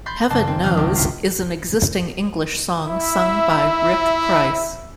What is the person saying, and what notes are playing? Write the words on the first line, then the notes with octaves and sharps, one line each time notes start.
Heaven Knows is an existing English song sung by Rick Price.
B5 C6 G6 A6
F#1 C5 A5
C4
G#1 F3 F6
C#2
E4 F4
E4 E5